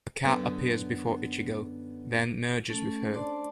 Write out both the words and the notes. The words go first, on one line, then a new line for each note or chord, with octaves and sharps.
A cat appears before Ichigo, then merges with her.
F#2 D3 B3
A3 C#4 A4
D4 C5 D5 A5 C6 D6